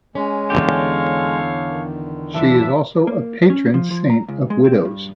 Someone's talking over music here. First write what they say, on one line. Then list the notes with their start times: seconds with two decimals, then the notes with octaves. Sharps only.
She is also a patron saint of widows.
0.15 G#3 C#4
0.50 E2 D3 G4 A4 C#5 F5
1.71 D#3
2.34 F#2 E3 F3 D4 E5 A5
3.07 A#3
3.50 C#4
3.74 F3
3.91 F3
4.10 A#5
4.28 C#2
4.50 G#3
4.64 C4
4.85 G2